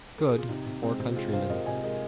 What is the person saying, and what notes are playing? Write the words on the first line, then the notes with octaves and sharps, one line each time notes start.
Good for countrymen.
A#4
G#4
F4
C3 D#4
C3
G#3 C4
C3 C4
G#3 C4 F4
C3 C5 F5
C3 A#4 D#5
C3 D#5 G#5
G#3 A#4 D#5